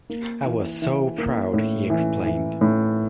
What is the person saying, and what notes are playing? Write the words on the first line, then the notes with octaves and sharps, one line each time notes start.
I was so proud, he explained.
A#3
E3
E3
A#3
A2
E3
E3
A2